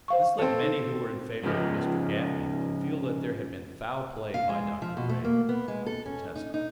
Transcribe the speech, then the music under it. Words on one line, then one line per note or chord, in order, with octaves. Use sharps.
This led many who were in favor of Mr. Gafney to feel that there had been foul play by Dr. Ray, the contestant.
C5 F5 C#6
C4 A4
D#4
G#2 C#3 F3 G#3
F5
G#3
F3
B2
A3
A#3
B3
G#3
A4
C#4
D#4
D#4